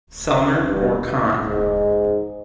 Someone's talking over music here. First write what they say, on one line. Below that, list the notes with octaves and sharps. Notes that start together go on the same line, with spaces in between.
Selmer or Conn.
G2
G#2